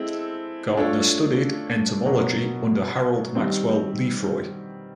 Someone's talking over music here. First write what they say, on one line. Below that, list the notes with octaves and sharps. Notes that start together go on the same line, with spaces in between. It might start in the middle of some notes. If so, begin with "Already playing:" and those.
Gardner studied entomology under Harold Maxwell Lefroy.
Already playing: G#3 C4 E4 A4
A3 D4 F4 A4 C#5
B2 F#3 A#3
D#3 G3 C4